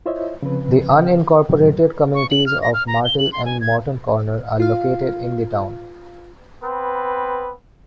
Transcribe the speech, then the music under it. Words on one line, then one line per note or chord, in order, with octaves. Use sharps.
The unincorporated communities of Martell and Morton Corner are located in the town.
E4 F4 C5 C#5 D#5 E5
C#3 F3 C4 B4
F#2 A2 C3 D#3 F#3
C#6
F#7
F6
A#6
F6
A#5
G7
F#7
C6
G#5
G#6
F4 F5
B3 C4 B4